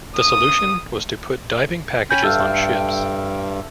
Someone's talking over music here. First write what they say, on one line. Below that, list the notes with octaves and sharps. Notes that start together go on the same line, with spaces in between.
The solution was to put diving packages on ships.
D#6
C#4 G5 G#5 B5 G6
G2 A4 E5 F5